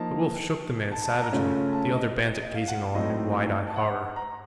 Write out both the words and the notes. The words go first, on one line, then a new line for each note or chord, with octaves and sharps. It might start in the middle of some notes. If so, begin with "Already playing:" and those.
The Wolf shook the man savagely, the other bandit gazing on in wide-eyed horror.
Already playing: F3 A#3 D#4 A5
A5
A5
A5
A#5
C#3 A3 C#4 F4
A5
D#5
D#5
F5
F#5
F5
A2 F#3 A3 C4 D#4 D#5
A5
F#5
A#5